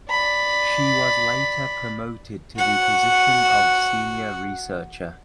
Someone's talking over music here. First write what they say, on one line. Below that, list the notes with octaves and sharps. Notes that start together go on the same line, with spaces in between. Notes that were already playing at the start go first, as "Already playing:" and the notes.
She was later promoted to the position of Senior Researcher.
D5 B5
F#4 F#5